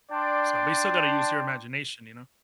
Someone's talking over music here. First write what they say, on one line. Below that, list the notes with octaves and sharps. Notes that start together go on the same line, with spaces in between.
So but you still gotta use your imagination, you know?
D4 D5 G5 A5 C6